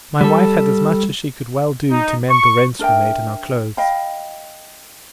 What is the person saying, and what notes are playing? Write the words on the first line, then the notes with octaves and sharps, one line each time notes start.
My wife had as much as she could well do to mend the rents we made in our clothes.
G3 A4
D#4
C#6
D4 A#4 E5 G5
D#5 F5 G5 B5